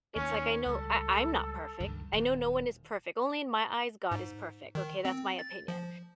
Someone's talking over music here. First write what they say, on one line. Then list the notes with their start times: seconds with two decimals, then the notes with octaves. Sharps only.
it's like, I know I I'm not perfect. I know no one is perfect. Only in my eyes, God is perfect. Okay, that's my opinion,
0.16 D#2 D#3 C#4
0.66 C#2 G3 A4
1.80 C#2 G2 D#3
2.13 D#1 D#3
4.11 G#2
4.75 D#3
5.05 C4
5.39 A6
5.68 F3